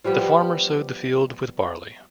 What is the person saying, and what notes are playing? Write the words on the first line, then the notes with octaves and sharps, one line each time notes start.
The farmer sowed the field with barley.
F3 G3 B3 G4